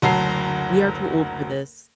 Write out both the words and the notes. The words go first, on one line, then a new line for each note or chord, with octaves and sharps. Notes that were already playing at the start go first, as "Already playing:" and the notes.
We are too old for this
F#1 D2 F#3 A5 A#5 C7